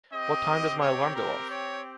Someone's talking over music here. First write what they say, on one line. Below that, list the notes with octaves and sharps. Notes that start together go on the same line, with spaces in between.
What time does my alarm go off?
C4 G4 D#5
C#5
A#4
C#5